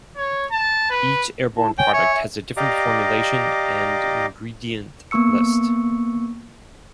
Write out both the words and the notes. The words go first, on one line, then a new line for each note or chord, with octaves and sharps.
Each Airborne product has a different formulation and ingredient list.
C#5
A5
B4
E4 A5
C#5 G5 G#5
C#5 E5
E5
G4 D5 D#5 F5 A#5 D6
A#3 B3 C#6 E6 C#7